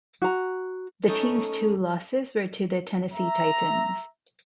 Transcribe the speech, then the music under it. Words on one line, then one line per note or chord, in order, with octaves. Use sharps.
The team's two losses were to the Tennessee Titans.
F#4 A#5
A3 C#4 D#4
E5 A#5